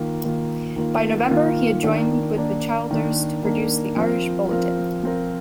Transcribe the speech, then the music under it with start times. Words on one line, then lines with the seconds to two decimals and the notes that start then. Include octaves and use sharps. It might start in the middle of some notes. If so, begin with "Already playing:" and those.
By November he had joined with Childers to produce the Irish Bulletin.
Already playing: D#3 A#3 F4
0.24 D#3 A#3 F4
0.76 D#3 A#3 F4
1.30 D#3 A#3 F4
1.83 D#3 A#3 D4
2.36 D#3 A#3 D4
2.91 D#3 A#3 D4
3.43 D#3 A#3 D4
3.97 F3 C4 F4 A#4
4.51 F3 C4 F4 A#4
5.03 F3 C4 F4 A#4